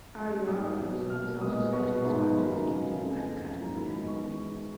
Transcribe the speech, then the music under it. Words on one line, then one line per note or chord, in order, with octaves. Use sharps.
Ariarathes is also said to have expanded his kingdom adding Cataonia to his dominions.
F#2 F3 G#3
G#2 F#3 A#3 D#6
B2 F#3 B3
B2 A#3 F6
A#2 G#3 B3 D#6
B2 G#3 B3 C#6
G#2 F3 B3
F#2 D#3 F#3 A#3 B5
A#5
F#2 C#3 G#3 B3
F2 F3 B3 G#5
C#2 C#3 G#3
G#2 F#3 A#3 A#5
B5
F#2 D#3 G#3 B3 B5
C#6